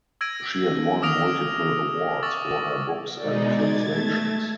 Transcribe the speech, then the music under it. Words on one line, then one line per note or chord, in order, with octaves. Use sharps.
She has won multiple awards for her books and translations.
E6 G#6 A#6 D7 D#7
D6 D#6 F6 A#6 D7 F7
C#6 D6 E6 A6
B2 G#3 D#4 D5
G#6 A6
A3